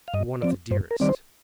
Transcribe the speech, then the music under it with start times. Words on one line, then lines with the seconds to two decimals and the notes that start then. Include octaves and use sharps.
One of the dearest.
0.08 F5
0.14 G2 D#5
0.42 F3 C4 D5
0.71 G2 C5
0.91 A#4
1.00 D#3 G3 C4 D5
1.09 C5